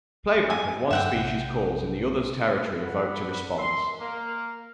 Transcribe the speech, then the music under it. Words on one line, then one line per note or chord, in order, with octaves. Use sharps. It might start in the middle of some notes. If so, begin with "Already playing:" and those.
Playback of one species' calls in the other's territory evoked a response.
G#5
G2 F#3 E5 F#5 G5
A#1 C3
D3 C4 B4 F#5 B5
G#3 A#4 E5 C6
A#3 A#4